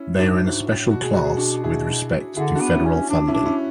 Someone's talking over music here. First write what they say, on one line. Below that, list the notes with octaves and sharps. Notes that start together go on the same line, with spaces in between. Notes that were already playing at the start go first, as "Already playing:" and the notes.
They are in a special class with respect to federal funding.
Already playing: C#4 E4
G#2 D4 F#4
G#2
A2
B2 F#4
G#4
F#4
G#4
D4 F#4
E4 G#4
D3 E4 G#4
D4 F#4
B3
C#4 E4
C#4
D4
C#4 E4
D4
C#4 E4